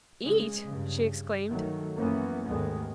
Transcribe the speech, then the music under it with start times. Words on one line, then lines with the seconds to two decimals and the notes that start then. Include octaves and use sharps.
"Eat!" she exclaimed.
0.24 C#3 G#3
0.65 G2 C#3
1.49 D#3 F#3 A3
1.96 F#2 E3 A#3 B3 C#4
2.45 D#2 G#2 D#3 G#3 A3 B3